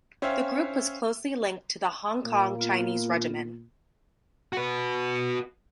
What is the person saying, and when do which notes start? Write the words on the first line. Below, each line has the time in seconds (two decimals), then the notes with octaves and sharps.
The group was closely linked to the Hong Kong Chinese Regiment.
0.22 C#4 C5 C#5 E5 F5 G5
2.25 A#2 A#3
2.59 B3 F4
4.53 F#4 B4